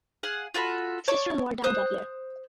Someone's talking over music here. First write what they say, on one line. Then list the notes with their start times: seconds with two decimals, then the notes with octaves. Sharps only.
Sister More died that year.
0.23 G#4 F5 F#5
0.54 F4 F#4 A4 B5
1.08 C#5 D5 A5 C#6
1.64 C5 D#6 F#6